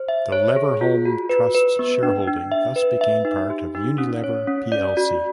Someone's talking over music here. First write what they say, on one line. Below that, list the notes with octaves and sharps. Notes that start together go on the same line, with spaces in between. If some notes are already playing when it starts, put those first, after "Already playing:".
The Leverhulme Trust's shareholding thus became part of Unilever plc.
Already playing: C5
E5
C#5
G#4
F4
F#4
B4
B4
B3
D4
D4
E5
B4
E5
D#4
G4
D#4
C#4
C#5
C#4
D5
F#4